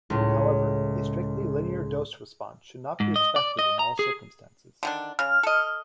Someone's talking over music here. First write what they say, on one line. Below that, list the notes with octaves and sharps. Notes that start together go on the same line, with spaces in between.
However, a strictly linear dose response should not be expected in all circumstances.
C#2 A2
G#2
D#5
D5
D#5
A#5
G#4
D3 D#3 D4
C#3 F6
A4 D#5